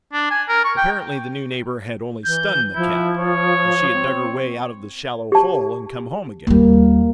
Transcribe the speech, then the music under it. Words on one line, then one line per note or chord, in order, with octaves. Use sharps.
Apparently the new neighbor had only stunned the cat and she had dug her way out of the shallow hole and come home again.
D4
G#5
A#4
C#6
G5
E3 G6
F3 E4
C#5
C4
G4 A5
D#2 G3 A#3